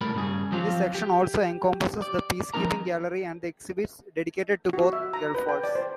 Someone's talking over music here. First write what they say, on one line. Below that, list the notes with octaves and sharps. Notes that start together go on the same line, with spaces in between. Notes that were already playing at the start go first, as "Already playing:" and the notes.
This section also encompasses the Peacekeeping Gallery and exhibits dedicated to both Gulf Wars.
C2 A2 G3 A#4 B5
G2 C#3 G3 G#4
F3 F#3 C4 F4 G4 F5
G4
D5
F3 C4 D#4 A#4 A#5
F#4
E5
A#5
B4
G5
D5
C5